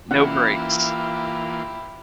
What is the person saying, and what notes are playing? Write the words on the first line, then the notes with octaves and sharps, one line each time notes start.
No breaks.
E3 A#3 C#4 D4 E4 F4 G4 F#5